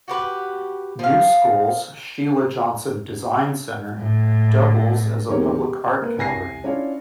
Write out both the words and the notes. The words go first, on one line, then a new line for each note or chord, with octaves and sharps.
New School's Sheila Johnson Design Center doubles as a public art gallery.
F#4 G4 B4
F3 F5
A2
E1 A#3 C4 D#4 G4 C#5
G4
A#3 B4
C2 G#5 A#6 C7
C#4 D4 E4 F4 C#5